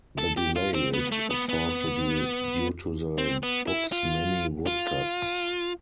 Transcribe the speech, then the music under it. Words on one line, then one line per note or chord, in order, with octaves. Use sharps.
The delay is thought to be due to the book's many woodcuts.
A4
G4
F4
C4
B3
A3
B3
B3
C4
B3
E4
F4
F4